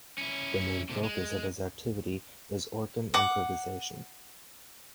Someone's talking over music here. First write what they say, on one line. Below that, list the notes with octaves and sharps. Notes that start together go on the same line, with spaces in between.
The main focus of his activity is organ improvisation.
C#4 E4
A2 C3
G#3
F#5 D6